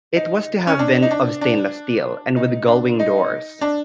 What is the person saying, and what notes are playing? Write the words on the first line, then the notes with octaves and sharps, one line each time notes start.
It was to have been of stainless steel, and with gullwing doors.
D#4
C#4
D4
D#4
D4
D4
D#4
D4
D#4
D4